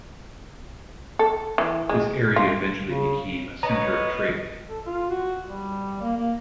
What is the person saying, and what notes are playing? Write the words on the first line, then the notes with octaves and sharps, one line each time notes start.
This area eventually became a center of trade.
A4
E3
G#3
F4
C#3
B3 C#5 D#5 A#5
A4
F4
F#4
G3
A#3
A#3